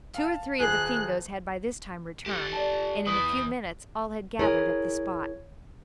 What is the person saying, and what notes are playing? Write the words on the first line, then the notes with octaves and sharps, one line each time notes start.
Two or three of the Fingoes had by this time returned, and in a few minutes all had gathered at the spot.
F5 A5
D#1 G#4 F#6
G4 A4
A6
D5 A5
E2 B4 D#6
E4 G#4 A#4 C#5